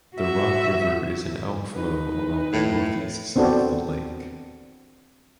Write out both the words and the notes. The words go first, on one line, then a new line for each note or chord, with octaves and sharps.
The Rock River is an out flow along the northeast side of the lake.
F#4 E5
D#4 B4
A2
B3 C4 D4 F#4 A4